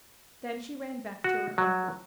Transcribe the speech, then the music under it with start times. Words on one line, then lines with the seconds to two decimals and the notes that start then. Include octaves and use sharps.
Then she ran back to her uncle.
1.24 F#4
1.58 F#3